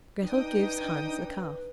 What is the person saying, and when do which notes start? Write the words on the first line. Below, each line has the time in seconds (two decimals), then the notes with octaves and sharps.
Grettel gives Hans a calf.
0.23 D4 D#4 B4 G5 D#6